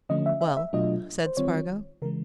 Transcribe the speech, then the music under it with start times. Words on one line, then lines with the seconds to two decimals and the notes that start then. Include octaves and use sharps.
"Well?" said Spargo.
0.09 D3 F3 A3 C#4 D#5
0.26 E5
0.41 E5
0.57 E5
0.73 B2 F#3 A3 D4 F4 D#5
1.26 C5
1.37 D#3 G3 C4 F4 C#5
2.02 C#3 E3 G#3 A#4